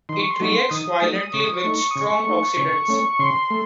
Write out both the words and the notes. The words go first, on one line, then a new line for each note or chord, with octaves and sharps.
It reacts violently with strong oxidants.
D#3 C6
C#6
C6
F#3 A3 D#4 C#6
C6
D#3 D#6
F#3 A3 D#4
C#3 C#6
D#6
C#6
A3 D#4
D#6
C#3 C#6
A3 D#4
C#3
A3 C#4
C#3 C6
A3